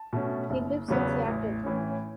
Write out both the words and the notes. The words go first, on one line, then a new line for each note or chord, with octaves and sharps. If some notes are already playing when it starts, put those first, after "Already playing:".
He lives in Seattle.
Already playing: A5
B2 A3 C#4
F#1
E2 C#3 F#3 B3
A1
A2 E3 C#4